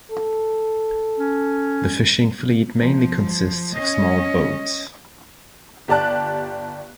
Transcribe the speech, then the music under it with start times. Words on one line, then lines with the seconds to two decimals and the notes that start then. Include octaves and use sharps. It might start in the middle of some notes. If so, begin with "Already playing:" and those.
The fishing fleet mainly consists of small boats.
0.11 A4
1.17 C#4
2.78 F3
3.73 C#4 D#5
5.88 G1 G4 D5 A5 F#6